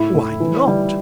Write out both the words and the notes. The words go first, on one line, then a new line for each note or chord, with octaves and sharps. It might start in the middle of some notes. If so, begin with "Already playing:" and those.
"Why not?"
Already playing: A2 E4
A2
E3
G3